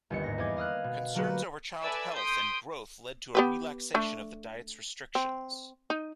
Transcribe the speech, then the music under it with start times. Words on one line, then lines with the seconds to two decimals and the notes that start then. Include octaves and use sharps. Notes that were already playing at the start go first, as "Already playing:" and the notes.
Concerns over child health and growth led to a relaxation of the diet's restrictions.
0.10 G1 D#2 C#7
0.23 G#2 A#6
0.38 E2 A#3 D#5 D6 G#6
0.57 F5 D#6 F6 F#6
0.84 B2
1.15 D3 F#3 A#3 F#4 G4 B4
1.81 A4 B4 D5 E5 G#5 E6
2.14 C6 D#6 G6 B6 D7
3.35 B3 G4 B4
3.94 A3 D4
5.15 C4
5.90 D#4